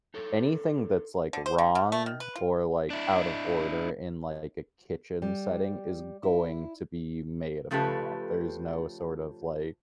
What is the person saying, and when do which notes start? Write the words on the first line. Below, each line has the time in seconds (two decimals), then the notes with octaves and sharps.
anything that's, like, wrong or, like, out of order in, like, a kitchen setting is going to be made apparent, there's no sort of, like
0.14 D#4 A4 C#5
1.33 D3
1.46 C5
1.58 D3
1.75 C#3
1.92 A3
2.06 D#3
2.20 B4
2.36 F4
2.90 D4 E4
5.22 G3
6.23 E4
7.71 C#3 F3 A3 G4 A4 B4